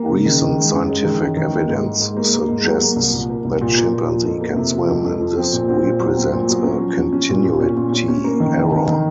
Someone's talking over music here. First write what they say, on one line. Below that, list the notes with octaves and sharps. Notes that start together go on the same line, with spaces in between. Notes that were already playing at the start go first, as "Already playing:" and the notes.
Recent scientific evidence suggests that chimpanzee can swim, and this represents a continuity error.
Already playing: A#3
C#3
D#3
D#3
G#3
F#2
G#3
D#3
F#2
D#3
A#3
G#2
G#2
G#2
A#3
A#3
G#2
F#3
A#3
C2
A#2
A#3
C2
A#2
A#3
A#2
F3
F2
A#3
C3
F3
F2
F2
F3
C4
A#2
C4
A#2
F#3
C4
A#2
F#3
C#4
F3
C#4
C#4
A#2
A#2
C#4
A#2
C#4
C#4
A#3
D#3
C3
D#3
D#3